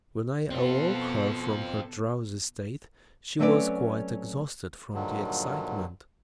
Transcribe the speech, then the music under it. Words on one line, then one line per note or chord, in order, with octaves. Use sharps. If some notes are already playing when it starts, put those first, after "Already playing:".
When I awoke her from her drowsy state, she was quite exhausted from the excitement.
B2 C4 F4 A4
F#3 A3 C4 C#4 B4 D5
G2 A#2 D3 D#3 F#3